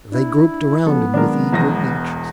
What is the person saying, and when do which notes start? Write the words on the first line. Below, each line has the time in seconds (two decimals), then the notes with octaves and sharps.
They grouped around him with eager interest.
0.12 D4 E4
0.87 F3 B3 C#4 A4
1.14 D#3 F#3 G#3 D4 A#4
1.53 E1 E2 A#6